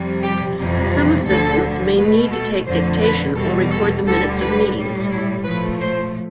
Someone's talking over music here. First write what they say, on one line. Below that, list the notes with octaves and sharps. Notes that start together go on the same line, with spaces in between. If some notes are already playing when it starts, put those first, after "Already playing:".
Some assistants may need to take dictation or record the minutes of meetings.
Already playing: F2 C3 G3
G4
F2 C3 E3 G3
D2 D3 F3 A4
B2 A3 B4
A4
F2 D3 A3 C5
B4
E2 B2 G3 A4
A4
D2 D3 G3 A4
B4
A2 G3
E4
A2 F3 A3 B4
C5